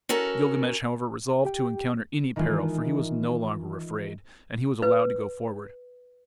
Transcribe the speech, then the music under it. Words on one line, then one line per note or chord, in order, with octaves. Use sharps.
Gilgamesh, however, resolved to encounter any peril, for he was no longer afraid, and he was allowed to go forward.
C#4 F#4 A4 A#4
G4 G5
D#3 E3 G#3 D#4 F4
B4